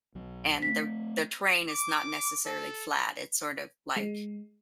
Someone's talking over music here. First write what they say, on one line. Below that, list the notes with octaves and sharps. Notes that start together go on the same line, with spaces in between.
And the the terrain is not necessarily flat, it's sort of like
B1 F#3
A3 C4 B6
D6
A4
G#3